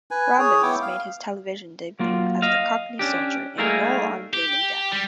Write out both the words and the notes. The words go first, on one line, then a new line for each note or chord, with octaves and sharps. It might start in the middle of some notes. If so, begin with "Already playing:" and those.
Robbins made his television debut as the cockney soldier in "Roll-on Bloomin' Death".
B4 G#5
G#4 C#5
B3 E4 G5 D6
F5
F#3 A#3 F4
D#5 F5
C#4 D4 G4
G3 A3 A#3 D#4 G#4 A#4
G4
G3